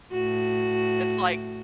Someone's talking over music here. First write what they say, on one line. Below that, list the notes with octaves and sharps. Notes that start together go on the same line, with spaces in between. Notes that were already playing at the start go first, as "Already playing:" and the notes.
It's like
A2 F#4